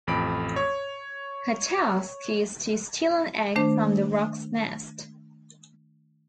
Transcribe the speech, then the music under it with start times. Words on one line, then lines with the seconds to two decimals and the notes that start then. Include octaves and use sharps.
Her task is to steal an egg from the Roc's nest.
0.07 A1 F2 B5 D7
0.56 C#5
3.55 D#3 A3 D4 C5